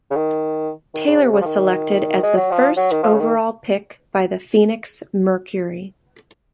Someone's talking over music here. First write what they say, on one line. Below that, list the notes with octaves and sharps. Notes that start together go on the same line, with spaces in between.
Taylor was selected as the first overall pick by the Phoenix Mercury.
C#3
D#3
D#3
C#3
C3
C#3
F3
D#3
G#3
F#3
F3
F#3
D#3
F3
C#3
D#3